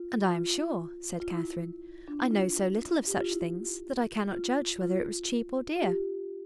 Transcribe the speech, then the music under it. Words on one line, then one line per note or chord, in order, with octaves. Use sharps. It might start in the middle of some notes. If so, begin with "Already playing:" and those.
"And I am sure," said Catherine, "I know so little of such things that I cannot judge whether it was cheap or dear."
Already playing: F4
F4
F4
E4
D4
E4
F4
G4
F4
E4
F4
F4
F4
G4